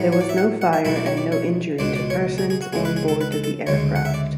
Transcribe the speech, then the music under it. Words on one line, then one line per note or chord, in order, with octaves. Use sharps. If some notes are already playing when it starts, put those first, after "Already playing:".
There was no fire and no injury to persons on board the aircraft.
Already playing: A2 F#3 B3
C#5
D5
E5
F#5
F#5
E5
B1 B2 A3 E4 E5
D5
C#5
D5
C#5
C#2 B2 G#3 D4 D5
D5
C#5
G#4
G#4
F#4
C#2 C#3 G#3 G#4
B4
G#4
A4
B4
A4
A4
D2 C#3 G#3 C#5
F#5
E5
D5